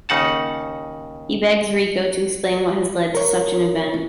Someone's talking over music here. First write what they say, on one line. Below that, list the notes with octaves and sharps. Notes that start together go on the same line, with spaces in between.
He begs Ricco, to explain what has led to such an event.
D#2 C#3 D#4 F#5 A5
A#4 C#5